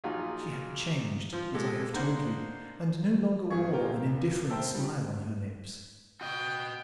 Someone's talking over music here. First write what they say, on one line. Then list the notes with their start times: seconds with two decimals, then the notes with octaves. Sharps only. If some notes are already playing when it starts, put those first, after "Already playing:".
She had changed, as I have told you, and no longer wore an indifferent smile on her lips.
0.04 A#1 F#3 D#4 F4 G#4
1.33 F3
1.54 G#3 G4 A4
1.94 A#3 D4 D#4 C5 F#5
3.50 G#1 F3 G#4 F5 C#6 G#6
3.71 A#3 D#4 F4 G4 A#4
4.06 F1 C#2
4.50 A#4 C5 E5 G5 A5 E6
4.74 D3 F3 G3 D#4
6.21 F#4 D#5 G5